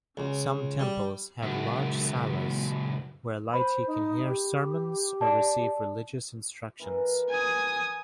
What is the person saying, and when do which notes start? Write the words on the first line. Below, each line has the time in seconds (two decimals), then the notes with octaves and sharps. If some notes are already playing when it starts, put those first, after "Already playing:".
Some temples have large salas where laity can hear sermons or receive religious instructions.
0.17 C#2
0.79 G3
1.42 C#2 F#2
3.54 C5 B5
3.87 D#4
4.26 G4
5.21 D5 A5
6.80 E3 A#4 D#5
7.30 G#5 D#6